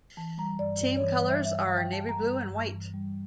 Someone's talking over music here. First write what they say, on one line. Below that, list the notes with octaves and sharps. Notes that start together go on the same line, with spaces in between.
Team colours are Navy Blue and White.
E3 A5
G3 A#5
G2 D5
G2 D5
C#5
E3
G3
E5
G2 E5
G2 F5
G5
E3 A5
G3 A#5
G2
G2
E3
G3